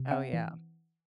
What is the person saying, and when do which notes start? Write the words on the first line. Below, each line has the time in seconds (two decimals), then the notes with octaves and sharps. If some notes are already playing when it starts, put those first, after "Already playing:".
Oh, yeah.
Already playing: C3
0.11 C4 E5 F#5
0.33 E3